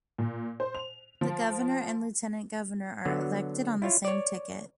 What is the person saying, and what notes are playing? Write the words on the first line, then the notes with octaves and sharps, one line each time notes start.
The governor and lieutenant governor are elected on the same ticket.
A#2
C5
F7
F3
D3 F#3 B3
E4 F4 C#5
C#5 D5